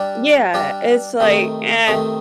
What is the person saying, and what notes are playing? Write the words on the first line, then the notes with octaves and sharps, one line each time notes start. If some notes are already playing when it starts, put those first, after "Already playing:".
Yeah, it's like, "Eh,
Already playing: G3 D4 G4 D5
G3 D4 G4 D5
C3 D#3 A3 D#4
C3 D#3 A3 D#4